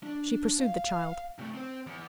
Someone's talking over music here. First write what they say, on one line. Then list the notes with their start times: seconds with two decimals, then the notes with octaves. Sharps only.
She pursued the child.
0.03 D4
0.60 F5
1.39 C3 A3
1.54 C4 C5
1.87 E2